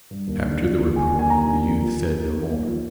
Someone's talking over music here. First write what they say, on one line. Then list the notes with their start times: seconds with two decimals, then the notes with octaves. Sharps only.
After the reproof the youth said no more.
0.11 G2
0.27 D#2
0.45 D3
0.62 F3
0.79 D#2
0.96 D3 G#5
1.13 D#2
1.19 G#5
1.30 D#2 A#5
1.47 D3
1.64 D#2
1.82 F3
1.99 D#2
2.16 D#2
2.33 D#2
2.50 D#2
2.67 F3